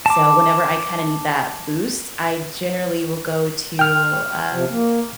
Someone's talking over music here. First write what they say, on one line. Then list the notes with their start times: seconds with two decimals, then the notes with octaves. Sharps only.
so whenever I kinda need that boost, I generally will go to, uh,
0.06 A5 D6
3.79 G5 F6
4.51 C3 F3
4.69 A#3